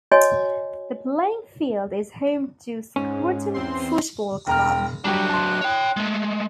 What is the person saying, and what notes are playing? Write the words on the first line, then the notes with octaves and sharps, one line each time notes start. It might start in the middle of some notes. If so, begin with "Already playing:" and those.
The playing field is home to Scruton Football Club.
F#4 C#5 D#5 G#5
G#2 C#4
E2 C4 C6
E1 G5 A#5 F6
F#3 G3 D4 G4 F#6
A5 C6
C#5 G5
G#3 A3